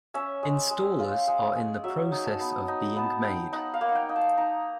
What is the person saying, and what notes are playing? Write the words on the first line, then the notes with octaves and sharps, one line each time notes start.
Installers are in the process of being made.
C#4 E5
G#3
G#3
F4
G#3
G#3
F#3 E5
D#4
A5
B3
D#4
B3 A5
D#4 G5
D#4 F#5
F5
A#3
F#5
G5
D#4
A5
D#4 A#5